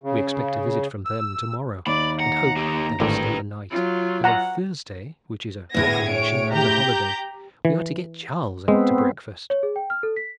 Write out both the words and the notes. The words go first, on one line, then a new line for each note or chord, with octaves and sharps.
We expect a visit from them to-morrow, and hope they will stay the night; and on Thursday, which is a confirmation and a holiday, we are to get Charles out to breakfast.
C#3
E6
D#2 D5 B5
F#5 A#5
A#3 G4
G#1 A2 D3 G4 B4
F#3 F4
F#5 A#5
D2 A2 B3 G#4 G#6 A#6
C#5 D7
G4 A#5 G6
E3
G#3 B3 C4
C#5
G#4
G5
F6
A4
B6